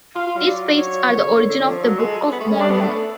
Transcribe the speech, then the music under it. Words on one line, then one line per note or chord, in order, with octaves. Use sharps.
These plates are the origin of the Book of Mormon.
F4 F5
F4
F#3
D5
C#5
F3
C#3
D3
D3
D3
D3
F3 A4
F#3
G#3 A4
B3 G#4
A3
C#4
D4 A4
B3
A3